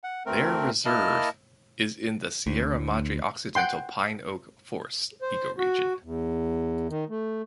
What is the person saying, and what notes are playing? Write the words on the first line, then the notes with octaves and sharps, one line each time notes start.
There reserve is in the Sierra Madre Occidental pine–oak forests ecoregion.
F#5
D2 A3 C4 A#4
A#3 E4 D#5 A5 F6
D2
F#5 G5 C6
C5
F#4
E2
D#3
A3